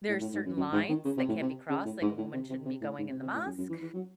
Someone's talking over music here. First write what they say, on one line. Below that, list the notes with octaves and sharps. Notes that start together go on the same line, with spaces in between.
there are certain lines that can't be crossed, like, a woman shouldn't be going in the mosque,
A2
A2
G#2
F#2
F#2
G#2
D#3
C#3
C3
A2
C3
C#3
A2
G#2
A2
C3
C3
C3
A2
G#2
C3
C3
A2
F#2
F#2
E3
E3
F#3